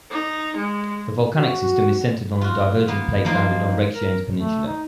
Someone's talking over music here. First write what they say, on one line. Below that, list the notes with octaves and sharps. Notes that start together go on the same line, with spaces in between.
The volcanic system is centered on the divergent plate boundary on Reykjanes peninsula.
D#4
G#3
F#4
F4 F#4
A#3 B3
F3 A#3 C4 D#4
A#4
A3
D#4